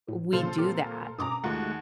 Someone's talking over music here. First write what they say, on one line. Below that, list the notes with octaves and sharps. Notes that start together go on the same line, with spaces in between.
we do that.
A2
A#2 C#3 F3 F4 A4 C5
A#2 C4 G4 A#4
G2 B2 C#4 A#5 D6 D#6
D#2 D#3 G#3 A3 F4 F#4 F#5 A6